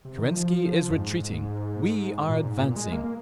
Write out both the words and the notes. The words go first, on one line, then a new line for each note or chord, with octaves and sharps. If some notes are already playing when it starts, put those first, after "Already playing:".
Kerensky is retreating, we are advancing.
C3
D#3
F3
F2
G#2
G#2
A#2
G#2
A#2
G#3
A#3
A#3